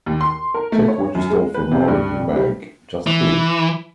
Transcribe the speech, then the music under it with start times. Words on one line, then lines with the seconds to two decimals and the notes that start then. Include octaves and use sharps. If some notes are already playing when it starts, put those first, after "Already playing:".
Take what you stole from out of your bag. Just do it.
0.06 D#2
0.21 C6
0.54 A#4
0.72 A3
0.88 C#5
1.15 F#2
1.30 G#3
1.54 B4
1.72 C3
1.88 G2
2.19 F2
2.36 G3
3.07 E3